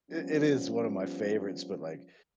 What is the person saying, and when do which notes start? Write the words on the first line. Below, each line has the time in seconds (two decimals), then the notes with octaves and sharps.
I It is one of my favorites, but, like,
0.11 F3 G3 B3 C#4